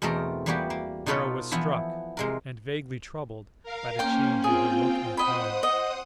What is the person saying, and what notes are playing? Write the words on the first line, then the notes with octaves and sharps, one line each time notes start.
Darrow was struck, and vaguely troubled, by the change in her look and tone.
E2 B2 A3 C4 A#4 A#5
E3 G3 A#3 B3 F#4 G4
A#3
B2 D#4 F4 A4 B4 C#5
E3 F3 B3 E4
C3 G#3 A#4
A#4 F5
A#3 C#4 C5 G5
C4 F4 G#4 G5
C5 D#5 F#5 B5 D#6
D#5